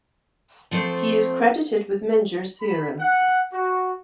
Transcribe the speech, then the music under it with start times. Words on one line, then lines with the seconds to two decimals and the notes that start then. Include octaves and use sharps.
He is credited with Menger's theorem.
0.71 F3 A3 C4 C5
2.61 B5
2.99 F#5
3.52 F#4